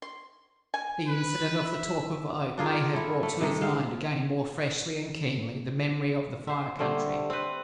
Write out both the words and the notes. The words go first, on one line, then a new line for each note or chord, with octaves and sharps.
The incident of the talk of Oak may have brought to his mind again more freshly and keenly the memory of the Fire Country.
C6
G#5
B4
E5
D4 F4 G#4 A#4
E4 A4
A3
G2 C3 A3 D#4
G#3 C4 F5
C5 E5
D3 G3 A3 C5
C4 B4